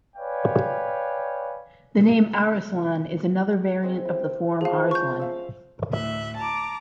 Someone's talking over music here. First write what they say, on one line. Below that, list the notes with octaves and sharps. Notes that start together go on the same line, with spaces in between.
The name Arislan is another variant of the form Arslan.
B4 C#5 D5 F5 G5 G#5
C4 G#4 D#5
E4 G4
F3 G#4 F5
G#3 C#4 C5 C#6 G6
E5 F5
D2 A2 E5 F#6
A5 A#5 D6